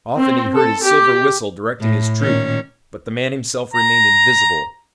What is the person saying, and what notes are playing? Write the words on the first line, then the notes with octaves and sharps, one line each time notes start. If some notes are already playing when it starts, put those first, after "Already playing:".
Often he heard his silver whistle directing his troop, but the man himself remained invisible.
C4
A4
G4
A2
A#2 D#3 C#4
A#5